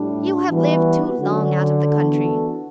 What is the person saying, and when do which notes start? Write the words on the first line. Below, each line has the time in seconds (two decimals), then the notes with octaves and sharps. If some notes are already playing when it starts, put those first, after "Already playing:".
You have lived too long out of the country.
Already playing: A2 G3 D4
0.50 E3 G3 B3 F#4 B4
1.20 D3 F#3 C#4 F#4
1.90 E3 B3 D4 F#4 A4